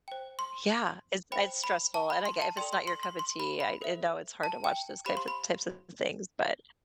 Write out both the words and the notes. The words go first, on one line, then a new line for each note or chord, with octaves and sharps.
yeah, it's it's stressful, and I get if it's not your cup of tea, I I know it's hard to watch those types of types of things, but
C5 G5
C6
C5 G5 B5
B5
A5
B5
C6
A5
A4 D5 G5 C6
C6
C6
C6
C6
B5
B5
A4 C5 E5
A5
G5
G4 C5 F5 B5
C6
B5